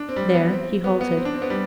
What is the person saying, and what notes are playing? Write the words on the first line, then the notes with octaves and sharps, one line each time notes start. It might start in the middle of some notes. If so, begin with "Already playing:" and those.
There he halted.
Already playing: D4
C4
G3
B3
C4
B3
B3
C4
D4
C4
B3
G3